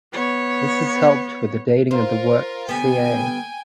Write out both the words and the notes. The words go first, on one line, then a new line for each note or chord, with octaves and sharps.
This has helped with the dating of the work to ca.
B3 C#5
F4 A#4 C5
D3 G3 B3 G5 G#5